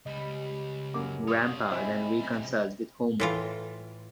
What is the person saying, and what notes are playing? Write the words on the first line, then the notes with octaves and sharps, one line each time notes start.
Grampa then reconciles with Homer.
C#2 G3 D#5
F#2 A#3 D6
F4 C#5 D#6
C3 G3 C4 E4 D#5 E5 G#5
B2
A2 E3 F4